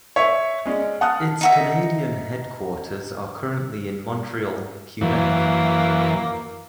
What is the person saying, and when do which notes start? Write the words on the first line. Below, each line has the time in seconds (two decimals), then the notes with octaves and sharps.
Its Canadian headquarters are currently in Montreal, Quebec.
0.16 C#5 E5
0.65 G#3 C#4 D5
1.01 F#5 A5 D#6 F6 F#6
1.41 D#4 F#4 E5
5.01 F#2 E3 A#3